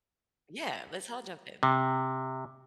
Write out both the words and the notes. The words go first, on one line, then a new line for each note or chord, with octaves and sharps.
Yeah, let's all jump in.
C3